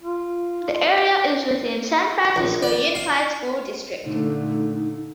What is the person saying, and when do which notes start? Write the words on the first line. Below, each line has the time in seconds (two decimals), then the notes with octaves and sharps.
The area is within the San Francisco Unified School District.
0.03 F4
2.36 A#1
2.63 D5
2.95 F5
4.05 A#2 D3 A3 D#4